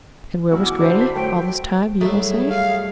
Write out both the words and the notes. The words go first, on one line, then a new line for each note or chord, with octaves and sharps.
And where was Grannie all this time, you will say?
B1 E2 G3 E4 F#4
D6
D3 C5
A5 B6
F#3 A3 F#4 C5 G5
F#3 G3 A3 E4 G#4
F5